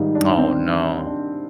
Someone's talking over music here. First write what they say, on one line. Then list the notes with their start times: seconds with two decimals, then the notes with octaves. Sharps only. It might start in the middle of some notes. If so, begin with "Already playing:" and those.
Oh no.
Already playing: G#2 D#3 G3 D#4 F4
0.15 D4
0.38 C4
1.06 D4